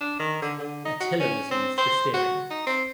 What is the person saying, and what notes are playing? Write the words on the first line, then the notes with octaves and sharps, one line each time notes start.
A tiller was used for steering.
D4
D#3
D3
D3
D#4
F#4
C#4
C4
C5
F#4
D#4
C4